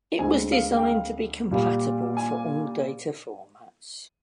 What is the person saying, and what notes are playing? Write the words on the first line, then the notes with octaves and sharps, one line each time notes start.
It was designed to be compatible for all data formats.
D2 D3 G#3 C4 G#5
F5
G5
F5
A#2 G3 A#3
G#5